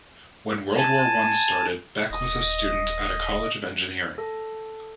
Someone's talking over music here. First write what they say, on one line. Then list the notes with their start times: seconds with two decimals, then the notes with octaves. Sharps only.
When World War One started, Beck was a student at a college of Engineering.
0.77 G#5 A5
2.10 D#1 D#5
4.18 A4